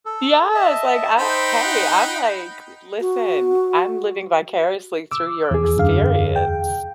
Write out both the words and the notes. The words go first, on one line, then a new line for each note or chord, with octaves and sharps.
Yes, like, I hey I’m, like listen, I’m living vicariously through your experience.
A4
D#5 E5 A5
D#4 C5 G5 B5
F#5
F#4
D6 E6
E2 G#4
F#2 D3 F5
G5